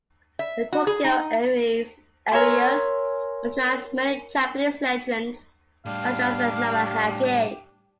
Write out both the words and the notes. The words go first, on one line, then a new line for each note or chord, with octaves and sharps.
The Tokyo areas utilize many Japanese legends, such as the Namahage.
E5
F#4
G#4
D#4
A#4 C#5 E5 G#5 C6
A2 G3 D4 G4 F5